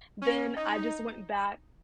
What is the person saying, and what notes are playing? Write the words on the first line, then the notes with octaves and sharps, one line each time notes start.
then, I just went back,
C#4
D#4